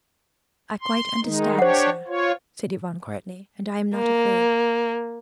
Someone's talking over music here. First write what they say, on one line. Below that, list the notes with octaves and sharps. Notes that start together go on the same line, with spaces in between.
"I quite understand, sir," said Yvonne quietly, "and I am not afraid."
C6
D#3 G#3 D#4
D4 G4 C5 C#5 F#5
F4 C#5
A#3